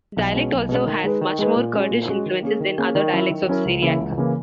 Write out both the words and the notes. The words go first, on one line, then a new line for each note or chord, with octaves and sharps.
The dialect also has much more Kurdish influences then other dialects of Syriac.
B1
B2 G#3 C#4
B1
B2 G#3 C#4
D#3
G#3 D#4 G#4 B4
D#3
G#3 D#4 G#4 B4
A#2
G#3 C#4 F#4
A#2
G#3 C#4 F#4
D#3
A#3 C#4 G#4
D#3
A#3 C#4 G#4
D#3
F#3 C#4 E4 A#4
D#3
F#3 C#4 E4 A#4
C#2
C#3 E3 A#3 E4
C#2
C#3 E3 A#3 E4